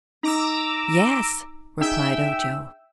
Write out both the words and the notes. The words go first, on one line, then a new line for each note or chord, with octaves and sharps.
"Yes," replied Ojo.
D#4 A#5 D6 E6
D#4 G#4 E5 G5 E6